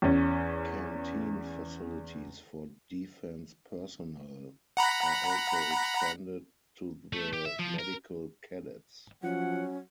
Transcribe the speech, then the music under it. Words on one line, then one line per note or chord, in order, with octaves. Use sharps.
Canteen facilities for defence personnel are also extended to the Medical Cadets.
E2 C#4
F#5 A#5 B5
A3
G4
E5
F3
A#4
F3 F#3 C#4 F#5